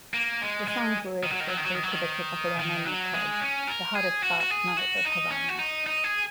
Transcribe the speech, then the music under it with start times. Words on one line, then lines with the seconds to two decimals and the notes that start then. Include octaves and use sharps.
The song's lyrics refer to the Copacabana nightclub, "the hottest spot north of Havana".
0.14 A#3
0.42 G#3
0.68 G#3
1.23 D#3
1.32 F#3
1.40 D#3
1.48 F#3
1.57 D#3
1.66 F#3
1.75 D#3
1.83 F#3
1.92 D#3
2.59 D#3
2.86 F#3
3.14 G#3
3.41 C#4
3.68 A#4
3.96 G#4
4.23 F#4
4.40 F#4
4.50 G#4
4.77 F#4
5.05 D#4
5.31 C#4
5.49 F#4
5.59 D#4
5.87 D#4
6.04 G#4